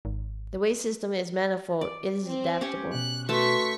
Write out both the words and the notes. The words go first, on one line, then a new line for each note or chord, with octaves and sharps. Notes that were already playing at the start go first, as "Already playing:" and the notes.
The wage system is manifold, it is adaptable.
G#1
D5
C4
C#4 G4 C#5
B2 F#6
A3 F#4 B4 A5 C6 C#6 B6 C#7